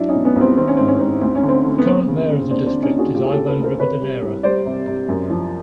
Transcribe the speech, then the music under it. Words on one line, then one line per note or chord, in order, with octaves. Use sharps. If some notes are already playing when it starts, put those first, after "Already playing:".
The current mayor of the district is Ivan Rivadeneyra.
Already playing: F#3 D4 E4
C#4 D#4
B2
B3 C#4
C2
C4
D#3 C4
C#4
G#2 C4
C#4
G#2 C4
D2 C4
C#4
D3
C4
D3
B3
D#2 C4
C#3
C#3
D#2 C4 D4
C4 D4
D3
C#4 D#4
D#2
F#4 G#4
D2 F4 G4
G#4
G4 A4
C#3
A4 B4
D2
A#4 C5
C3 B4 C#5
G3
C2
G3 C5 D5
C3
C3
F#2
F3